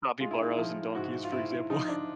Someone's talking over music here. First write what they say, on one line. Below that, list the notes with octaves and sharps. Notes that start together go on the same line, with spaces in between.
capibaras and donkeys, for example.
G#3 F4
E4
D#4
E4
F3
G#2 F#4
F4
G#2 E4
E4
F3 D#4
D4